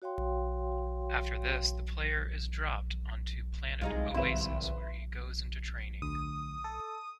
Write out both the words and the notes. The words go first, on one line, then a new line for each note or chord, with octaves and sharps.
After this, the player is dropped onto Planet Oasis, where he goes into training.
F#4 C#5 F5 G5 C6
C2 G#3 D#4 F4
G#1 E4 B4 E5 C6 E7
D2 D#6
A4